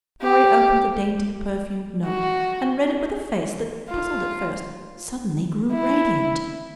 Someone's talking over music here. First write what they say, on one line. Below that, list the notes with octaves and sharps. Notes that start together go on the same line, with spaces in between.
Florrie opened the dainty, perfumed note and read it with a face that, puzzled at first, suddenly grew radiant.
G4
F#4
F4
E4